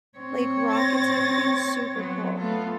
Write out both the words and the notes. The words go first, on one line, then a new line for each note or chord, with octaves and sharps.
like, rockets and everything. Super cool.
C4 C#5
A6 A#6
F#3 B3
A3 B3 F4 A4